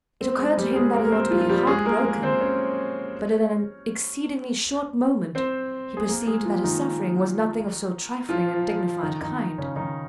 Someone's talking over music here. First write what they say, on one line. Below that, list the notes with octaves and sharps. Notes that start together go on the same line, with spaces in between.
It occurred to him that he ought to be heart-broken; but in an exceedingly short moment he perceived that his suffering was nothing of so trifling and dignified a kind.
C4 C5
G#3 G#4
G3 G4
A#4
G#3 G#4
A#3 A#4
A#4
C4 C5
F3 F4
F4
G3 G4
G#3 G#4
A#3 A#4
A#3 A#4
C4 C5
C#4 C#5
C4 C5
G#4
A#3 A#4
G#3 G#4
F3 F4
D#3 D#4
F3 F4
D#3 D#4
D#3 D#4
C#3 C#4
D#3 D#4